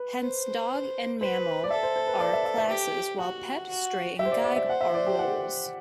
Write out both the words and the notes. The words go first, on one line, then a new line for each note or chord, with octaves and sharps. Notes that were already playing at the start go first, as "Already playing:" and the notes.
Hence, Dog and Mammal are classes, while Pet, Stray, and Guide are roles.
Already playing: B4
C5
B4 C5
D5
A4 E5
C5
C5
B4
D5
E5
E5
E5
G4
F#4 F#5
F#4
G4 E5
C5
D5
D5
E5
C5 F#5
E5
D5
G4
F#5